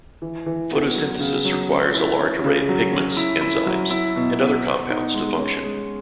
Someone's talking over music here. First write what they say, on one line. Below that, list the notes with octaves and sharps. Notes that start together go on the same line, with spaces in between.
Photosynthesis requires a large array of pigments, enzymes, and other compounds to function.
E3
E3
B3
F#3
C#3
F#3
C#4
E4
C#4
C#3
F#3
C#4
E4
E4
F#3
E4
B2
B2
B3
D#4
G#3
C#4
G#3